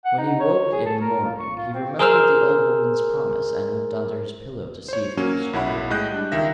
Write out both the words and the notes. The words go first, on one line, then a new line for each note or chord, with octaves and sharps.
When he woke in the morning, he remembered the Old Woman's promise, and looked under his pillow to see if it was true.
F#5
D#4
C#5
G#4
A4
A#4
F4
C#6
F4
C4
G#4 A#4 C5 E6 F6
C5 C#5
F#3 A#3 C#4
B1 E4 F#5 B5
A2 G#3 D#5 F#6 G6
G3 D4
C#2 D#3 E5 A#6